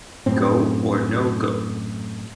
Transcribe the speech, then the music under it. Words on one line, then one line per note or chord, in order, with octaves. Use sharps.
Go Or No Go?
F#2 A2 C4